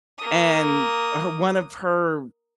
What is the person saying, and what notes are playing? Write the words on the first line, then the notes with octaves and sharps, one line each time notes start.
and her one of her
A#3 D#6